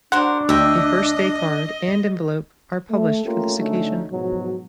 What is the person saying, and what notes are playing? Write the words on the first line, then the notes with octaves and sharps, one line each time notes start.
A First Day card and envelope are published for this occasion.
D4 F#4 A#4 C5 F#5
D2 D#5 E5 G5
A3
A3 A#3 C#4 F4 G4 A#4
D3 F#3 A3 C#4 D#4
G#2 B2 F3 F#3